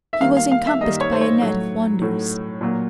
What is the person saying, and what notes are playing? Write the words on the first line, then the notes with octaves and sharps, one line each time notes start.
He was encompassed by a net of wonders.
E5
D#3 G3 A#3 F5
F5
F5
E5
D#3 G3 A#3 D#5
C#5
C5
C#5
A2 F#3 A3
A2 F#3 A3
A#2 F#3 A#3